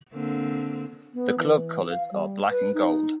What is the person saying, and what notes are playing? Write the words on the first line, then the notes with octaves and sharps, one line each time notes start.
The club colors are black and gold.
D3 A#3 C4
B3
E3
F5
G3
B4
D#4